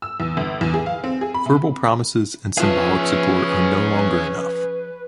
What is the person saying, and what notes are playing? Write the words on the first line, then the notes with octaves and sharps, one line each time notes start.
Verbal promises and symbolic support are no longer enough.
E6
E2
G1
E2
G#4
F5
C4
G#4
B5
C3
F3 C#4 F4 G#4 B4 E5 F5